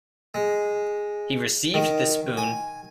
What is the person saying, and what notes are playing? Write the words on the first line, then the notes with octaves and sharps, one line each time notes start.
He received this boon.
G#3
D#3
G#5